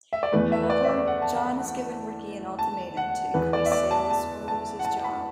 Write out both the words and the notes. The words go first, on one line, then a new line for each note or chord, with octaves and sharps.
However, John has given Ricky an ultimatum to increase sales, or lose his job.
E5
D5
E2 E3 A3 B4
E5
B4
D5
E5
D5
F#5
A5
F#5
A5
F#5
E2 E3 B3 B4
D5
E5
D5
A5
A5
A5
F#5
A5
B5